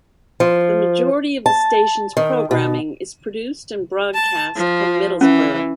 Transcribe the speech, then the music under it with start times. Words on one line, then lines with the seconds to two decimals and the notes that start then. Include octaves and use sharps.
The majority of the station's programming is produced and broadcast from Middlesbrough.
0.40 F3
1.46 A5
2.17 D#3
2.51 B2
4.14 A5
4.56 F3
5.21 E3 C#4